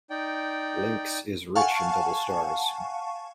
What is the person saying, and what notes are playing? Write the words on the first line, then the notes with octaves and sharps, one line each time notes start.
Lynx is rich in double stars.
D#4 D5 G5
F5 F#5 G#5 A5 C#6